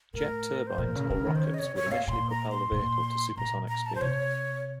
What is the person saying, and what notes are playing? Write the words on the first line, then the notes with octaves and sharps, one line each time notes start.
Jet turbines or rockets would initially propel the vehicle to supersonic speed.
A2 A#4
C5
A#2 A#4
C#3
C#3
D#3
C5
C#3 C#5
D#5
C3 C#5
A#2 C#5
C3
A#2 F5
A#2 C6
A#5
C6
A#2
A#2 A#5
A#5
A5
C5
C3 C#5